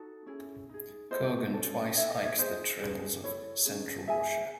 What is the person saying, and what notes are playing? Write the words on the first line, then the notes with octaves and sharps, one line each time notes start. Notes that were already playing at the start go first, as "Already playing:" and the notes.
Kogan twice hiked the trails of central Russia.
Already playing: D#4 F#4 A4
C#4 E4 G#4
D#4 G#4
E4 A4 C5 D#5
C#4 F#4 A4
D#4 A4 C#5 E5
D#5 F#5
C#5 E5
D#4 G#4 C5 D#5
C#4 G#4
E4 A4 C#5
C#4 G#4
E4 G#4 E5 G#5